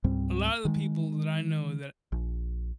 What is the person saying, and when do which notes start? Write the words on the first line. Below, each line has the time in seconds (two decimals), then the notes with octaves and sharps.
a lotta the people that I know that
0.04 C#2 G#2 G3 C4
0.65 D#3 G#3
2.12 A#1